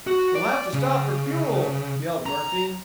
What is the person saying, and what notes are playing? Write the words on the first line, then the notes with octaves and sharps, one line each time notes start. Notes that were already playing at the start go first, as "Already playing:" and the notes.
"We'll have to stop for fuel," yelled Murphy.
F#4
D5
C#3
A#5